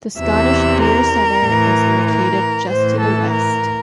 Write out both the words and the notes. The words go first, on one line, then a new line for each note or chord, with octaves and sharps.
The Scottish Deer Centre is located just to the west.
E2 C3 E3 E5
A#4
A2 E3
A#4
A2 E3 C5
A4
A#4